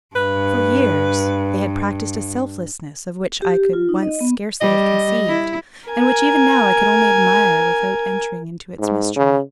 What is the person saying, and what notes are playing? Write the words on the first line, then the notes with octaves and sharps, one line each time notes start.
For years they had practiced a selflessness of which I could once scarcely have conceived, and which even now I could only admire without entering into its mystery.
G2 B4
G4
F4
D#4
D#5
B3
G3 D#5
E4
A#4 G#5
G#2
C#3